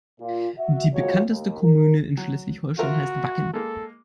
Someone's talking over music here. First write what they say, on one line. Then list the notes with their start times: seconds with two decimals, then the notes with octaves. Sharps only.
Die bekannteste Kommune in Schleswig-Holstein heißt Wacken.
0.21 A#2 F4
0.58 F#4 E5
0.93 C2 A#2 G#3 F4 F#4 C#5
1.29 D#2
1.61 A#4
2.17 F#3
2.79 F4 F#4 A#4 E5
3.54 G#3 A#3 A4